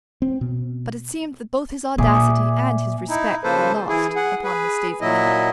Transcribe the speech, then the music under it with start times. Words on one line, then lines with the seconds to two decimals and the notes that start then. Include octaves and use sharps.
But it seemed that both his audacity and his respect were lost upon Miss Daisy Miller.
0.22 C4
0.41 B2
1.98 A#2 G#4 D5 E5
3.09 D#4 E4
3.44 C#3 F3 A#3 A4 B4 C5
3.89 E3 E4 G#4
4.16 G#4 F#5
4.44 G#4 B4
5.01 A#2 F#3 E4 D#5